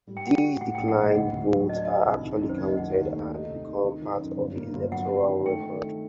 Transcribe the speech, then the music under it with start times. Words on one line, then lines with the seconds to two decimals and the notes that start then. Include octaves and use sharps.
These declined votes are actually counted and become part of the electoral record.
0.07 G3
0.17 G5
0.26 F#4 F#5
0.37 G5
0.43 F#4
0.61 A2 F#5
0.75 G5
0.80 A#1
0.88 F#5
0.98 A2 D#5
1.15 D2 F#5
1.33 D2
1.51 F#3
1.68 D4 D#5
1.77 D5
1.85 D4 D#5
2.05 C2
2.23 D#3
2.41 F#2
2.49 C5
2.58 F#1 D5
2.68 D#5
2.76 D#3 F#5
2.94 D#2
3.12 A3
3.31 D#4
3.48 C3
3.67 D#4
3.84 D#3
4.02 D#3
4.20 F#2
4.37 G1
4.55 A#3
4.73 G1
4.92 F#3 F#5
5.09 F#2
5.28 D#3
5.45 A3 G5
5.63 D#3
5.82 A3